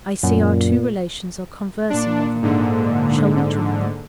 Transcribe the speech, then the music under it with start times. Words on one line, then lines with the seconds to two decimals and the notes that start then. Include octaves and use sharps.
"I see our two relations are conversing over there; shall we join them?"
0.23 F#2 A#2
1.90 A#2 D4
2.42 G#2 D3